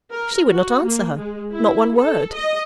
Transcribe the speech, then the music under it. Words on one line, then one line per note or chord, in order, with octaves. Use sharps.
She would not answer her--not one word.
A#4
F#4
A#3
G#3
E4
A4
D#5